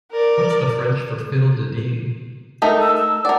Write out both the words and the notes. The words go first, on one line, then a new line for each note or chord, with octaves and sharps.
What’s the French for fiddle-de-dee?
A#4 D5
A3 D#4 A#4
E6
E6
A#4 D5 F#5